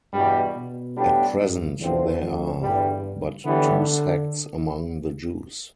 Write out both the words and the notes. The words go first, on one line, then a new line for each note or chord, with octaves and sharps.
At present there are but two sects among the Jews.
E2 G2 B2 G3
B2
A2 G3 B3 D4 G4
G2
E2 D3 F3 C4
F2
E2 G2 D3 G3
A2 D3 E3 G3 B3